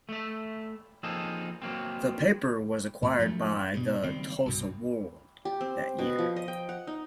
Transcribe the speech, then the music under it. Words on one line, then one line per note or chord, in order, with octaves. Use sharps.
The paper was acquired by the "Tulsa World" that year.
A3 E5
F3 A#3 C4 D#4 G#4 A4
F#3 A#3 C4
A2
F#2 F3 A3
G2 B2
F#1 D#3 G3 C4
C2 G2 B2
G4
C4
B2
F3
D#5
G5
F#5
D#4